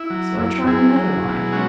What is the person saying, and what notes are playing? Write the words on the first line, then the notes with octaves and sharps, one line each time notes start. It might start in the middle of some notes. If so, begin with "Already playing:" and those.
So I tried another line.
Already playing: E4
F#3
F#2 E4
F#2 E4 G#4
F#3
B2
G#3 C#4 F#4